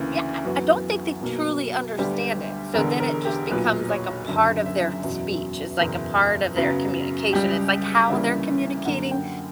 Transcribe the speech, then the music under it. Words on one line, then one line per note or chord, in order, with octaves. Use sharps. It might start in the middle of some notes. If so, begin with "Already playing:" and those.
Yeah, I I don't think they truly understand it, so then it just becomes, like, a part of their speech. It's, like, a part of their communication. It's, like, how they're communicating,
Already playing: D2 C#3 E3 A#3
F#2 E3 B3 F#4
B1 B2 F#3 A#3
D2 D3 G3 B3 G4
E1 E2 D3 A#4
A#4
G4
B1 A#2 F#3 B4
C#5
F#1 F#2 D3 E5
E5
F#1 E2 B2 F#3 E5
F#1 E2 B2 A#4
F#2 C#3 F#3 B3
C#2 C#3 G3 G4
D2 C#3 E3 G3 A#3 E5
F#2 D3 A#3 F#5
G5